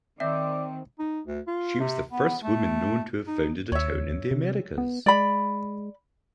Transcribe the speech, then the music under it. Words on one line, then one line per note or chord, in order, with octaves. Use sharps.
She was the first woman known to have founded a town in the Americas.
D#3 C4 D5 E5
D#4
D2
F4
C3
B3
A3
D#4
D#2 C#5 E5
C3
B3
G#3 D5 B5